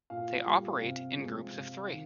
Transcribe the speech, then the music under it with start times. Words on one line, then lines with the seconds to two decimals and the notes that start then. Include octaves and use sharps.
They operate in groups of three.
0.10 A#2 F5
0.46 G3
0.80 C3
1.16 F3 G#3
1.52 C3
1.87 D#3